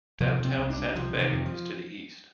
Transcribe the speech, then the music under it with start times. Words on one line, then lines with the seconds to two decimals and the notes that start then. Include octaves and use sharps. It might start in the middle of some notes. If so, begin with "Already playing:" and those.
Downtown Santa Fe is to the east.
0.20 C3 F3
0.39 C3
0.45 C4
0.58 C2
0.70 D4
0.76 C2
0.95 C3 F3
1.14 C3
1.20 D#3
1.32 F2
1.45 F3